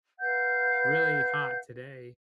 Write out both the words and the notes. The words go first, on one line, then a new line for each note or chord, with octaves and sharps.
really hot today
B4 F5 F#5 G6